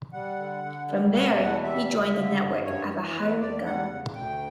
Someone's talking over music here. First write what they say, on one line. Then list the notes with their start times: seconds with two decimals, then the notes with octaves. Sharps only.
From there, he joined The Network as a "hired gun".
0.13 G3 F#5
0.38 D3
0.64 D3
0.88 G3
1.14 B2 F#5
1.39 E2 F#5
1.64 G3 E5
1.89 C#3
2.14 D3
2.40 G2
2.64 F#2 C#5
2.91 E3
3.15 E2 B4
3.40 E2 D5
3.65 G3 F#5
3.90 C#3
4.15 D2 G5